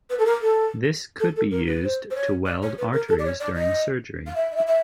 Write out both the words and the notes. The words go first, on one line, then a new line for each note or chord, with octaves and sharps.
This could be used to weld arteries during surgery.
B4
A4
A#4
A4
A4
A4
A#4
B4
C5
C5
C#5
D5
C#5
B4
A#4
A4
D5
C#5
D5
D#5
F5
E5
D#5
E5
E5